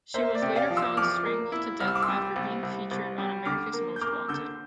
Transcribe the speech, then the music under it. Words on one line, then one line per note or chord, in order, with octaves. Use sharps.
She was later found strangled to death after being featured on America's Most Wanted.
A#3 C5 E5
D5
C3
D5 F5
F3
C6 E6
F3 D6 F6
A#3
E4
C2 F6
E6
D6
C6 E6
G3
C2
C2
C2
G3
D3 D6 F6
A#3
G6
A#3 D6 F6
D3 E6 G6